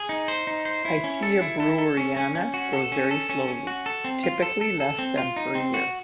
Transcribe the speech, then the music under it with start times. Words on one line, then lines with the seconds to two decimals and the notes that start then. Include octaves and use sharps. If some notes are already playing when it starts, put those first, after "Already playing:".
"Picea breweriana" grows very slowly, typically less than per year.
Already playing: G#4
0.09 D#4
0.28 C5
0.47 D#4
0.65 C5
0.85 E4
1.04 C#4
1.23 A4
1.42 E4
1.60 A4
1.78 A4
1.97 C#4
2.16 C#4
2.35 C#4
2.54 F#4
2.73 A4
2.92 C#4
3.11 A4
3.29 C#4
3.48 C#4
3.67 F#4
3.86 A4
4.04 C4
4.24 F4
4.42 A4
4.61 A4
4.80 A4
4.99 C4
5.18 F4
5.36 D#4
5.55 C4
5.74 F#4